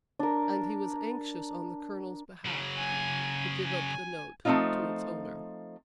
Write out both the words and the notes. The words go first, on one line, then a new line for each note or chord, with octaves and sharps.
And he was anxious, on the Colonel's behalf, to give up the note to its owner.
D4 A#4
C#3 F#3
G#5
G#5
F3 A3 A#3 C4 D#4 F4